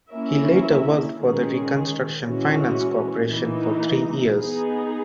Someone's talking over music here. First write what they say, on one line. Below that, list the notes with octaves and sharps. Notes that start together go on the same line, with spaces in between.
He later worked for the Reconstruction Finance Corporation for three years.
A#3 C#4 E4 A#4 E5
D#3 G#3 C#4 G#4
E3 G#3 C#4 F#4
E3 A#3 D#4
B3 D#4 G#4